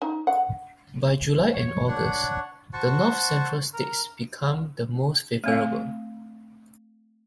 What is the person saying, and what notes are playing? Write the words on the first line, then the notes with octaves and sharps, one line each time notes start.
By July and August, the north-central states become the most favorable.
D#4
F#5
C#5
D4 C#5 F#5
F#4 C5 A5 C#6
A#4
A3 C4 F5